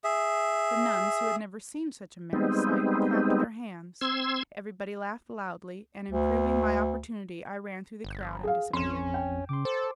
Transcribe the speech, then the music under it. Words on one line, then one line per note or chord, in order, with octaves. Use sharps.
The nuns, who had never seen such a merry sight, clapped their hands, everybody laughed loudly, and improving my opportunity I ran through the crowd and disappeared.
G#4 E5
G3 G#3 B3 C4 D#4
C4 C6 E6 G#6
D2
G1
G#4 F5
A1 F2 C#4 C6 E7
G5
C#3 C6 D6
A4 C5